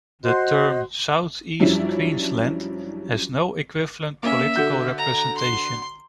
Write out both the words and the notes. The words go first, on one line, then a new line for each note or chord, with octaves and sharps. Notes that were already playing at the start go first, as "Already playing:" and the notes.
The term South East Queensland has no equivalent political representation.
F#4 C5 D#5 C6
F#2 F3 G3 C#4 D4 E4
A#3 C#4 E5
D3 F#4 G6
A#5
C6